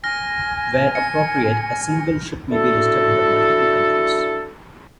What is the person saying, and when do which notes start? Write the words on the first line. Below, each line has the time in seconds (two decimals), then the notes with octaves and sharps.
Where appropriate, a single ship may be listed under multiple countries.
0.04 G#5 F6 A#6
0.95 C#7
2.51 D4 E4 F#4 A4